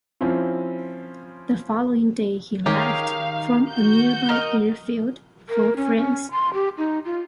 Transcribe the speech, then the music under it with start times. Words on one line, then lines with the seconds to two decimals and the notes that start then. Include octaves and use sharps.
The following day he left from a nearby airfield for France.
0.21 F3 C4 C#4 E4 F4
2.66 D#3 C#4 G4 G#4 A#4 F5
3.70 F#4 G6
4.29 A#4 D#5
5.49 A#4
5.76 C#4
5.97 C#4
6.31 C6
6.54 G4
6.78 D#4
7.05 F4